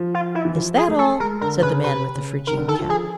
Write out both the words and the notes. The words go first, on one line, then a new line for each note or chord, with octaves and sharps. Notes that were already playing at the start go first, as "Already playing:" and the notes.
"Is that all?" said the man with the phrygian cap.
Already playing: F3
F4
E4
E3
F3
G#4
A3
A4
G#3 A#4
D3 A#4
C#3 B4
C3 B4
C#3
D#3 A#4
D3
D#3 A4
F3
G#4